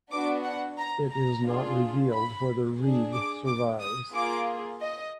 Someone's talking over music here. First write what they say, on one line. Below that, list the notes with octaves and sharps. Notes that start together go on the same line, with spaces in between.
It is not revealed whether Reed survives.
B3 D4 F#4 D6
F#5
A#5
A#5
D4 F4 G#4
B5
D4 G#4
D6
D6
D#6
A#3 F4 G#4 D6
D#5